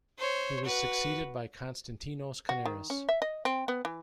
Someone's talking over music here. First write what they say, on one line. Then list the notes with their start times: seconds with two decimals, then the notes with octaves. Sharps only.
He was succeeded by Konstantinos Kanaris.
0.18 C5 C#5
0.64 F#4 B4
2.49 F#4
2.66 D#3
2.90 C#4
3.09 E5
3.22 D#5
3.45 C4
3.68 B3
3.85 E3